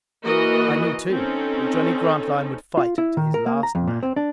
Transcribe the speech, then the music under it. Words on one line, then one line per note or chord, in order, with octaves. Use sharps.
I knew too, that Johnny Grantline would fight to his last man.
E3 A#3 F#4 A#4 D#5
C4 C#4 D#4 A4
F4
E4
D#3
A#4
A#3
A#5
F2
A#2
C4
D4